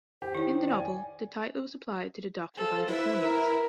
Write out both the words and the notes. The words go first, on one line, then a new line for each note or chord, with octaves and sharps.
In the novel, the title was applied to the Doctor by the Draconians.
G4 C5
D#3 E4 C#5
D5 G5 G#5
A4 C5 F5
E4 B4 E5
A#4